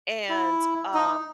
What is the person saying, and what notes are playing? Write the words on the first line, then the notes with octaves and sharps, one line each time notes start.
and, um
E4
D#4